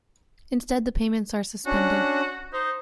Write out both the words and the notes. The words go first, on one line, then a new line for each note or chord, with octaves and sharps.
Instead the payments are suspended.
C#4 D4 F#4
D#4 C5